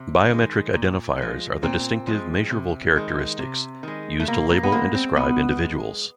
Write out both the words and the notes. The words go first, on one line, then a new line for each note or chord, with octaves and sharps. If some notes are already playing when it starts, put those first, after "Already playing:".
Biometric identifiers are the distinctive, measurable characteristics used to label and describe individuals.
Already playing: C3
D#3 G#3
A#2
F3 G#3
A#2 C4
F3 G#3
C3
D#3 G#3
C3
D#3 G#3
A3
B2 A#3
A#3
B3
G#3 A#3
C4
B2 B3
G#3